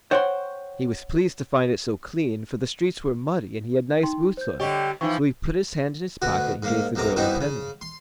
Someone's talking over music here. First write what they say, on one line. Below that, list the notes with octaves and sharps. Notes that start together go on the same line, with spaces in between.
He was pleased to find it so clean, for the streets were muddy, and he had nice boots on; so he put his hand in his pocket, and gave the girl a penny.
C5 C#5 F#5 G5 B5 C6
D#4 G5 C6
C5 G6
D3 G3 G4 C#5 D#5 C#6
E3 F3 D#4 G5 C#6
D2 B2 F#4
G#2 A#3
B1 F#2 C3 A#5 D6
G2 B2 C4 D#4 E4
C#3
C6